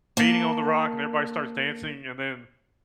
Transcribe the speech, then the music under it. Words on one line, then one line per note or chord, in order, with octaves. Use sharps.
beating on the rock and everybody starts dancing and then
A#3 A5